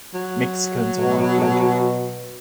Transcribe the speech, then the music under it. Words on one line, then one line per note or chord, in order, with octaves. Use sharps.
Mexicans arrived later.
F#3
B2